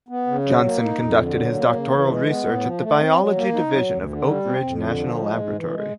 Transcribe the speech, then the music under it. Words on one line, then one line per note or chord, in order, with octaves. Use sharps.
Johnson conducted his doctoral research at the biology division of Oak Ridge National Laboratory.
B3
C#3
F#3
A#3
D#4
F2
D3
F#3
A#3
C#3
E3
G#3
B3
A2
F3
A3
C4
F#3
A#3
D#4
F#3
D2
D3
G3
C4
F2
D3
F3
G#3
G#2
E3
G#3